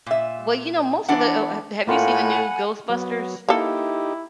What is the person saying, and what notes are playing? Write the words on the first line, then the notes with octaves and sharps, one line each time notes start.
Well, you know, most of it oh, ha have you seen the new Ghostbusters?
A#2 E5
E3 B3 D4 F#5
A2 A#3 F4 F#5 G#5 B5
F#3 B3
A#3 D#4 E4 G4 A4